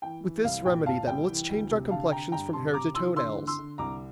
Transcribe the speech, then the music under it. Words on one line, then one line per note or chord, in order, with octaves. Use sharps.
With this remedy, then, let's change our complexions, from hair to toe-nails!
E3 G5
E3
C2 F5
A#2 G5
A#2 F5 A5
C2 G5
E3
D2
C3
D3 F5 A5
D3 G5 A#5
G2 G5 A#5
C3 A5 C6
C3 A#5 D6
E3 C6 E6
D3 C6 E6
D3
C6 E6
D3
C2 A#5 D6